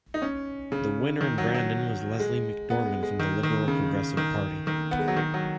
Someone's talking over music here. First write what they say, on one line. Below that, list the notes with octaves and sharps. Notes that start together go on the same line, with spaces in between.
The winner in Brandon was Leslie McDorman from the Liberal-Progressive party.
D#4
C#4
C#3
D#3
F#3
F#3
G#3
B3
G#3
G#3
D#3
D#3
C#3
D#3
D#3
B3
G#3
F#3
D#3
F#3